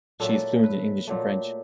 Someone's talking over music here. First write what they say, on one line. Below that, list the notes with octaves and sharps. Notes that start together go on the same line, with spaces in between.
She is fluent in English and French.
A#2 F#3 A3 A4
B4
A#2 F#3 A3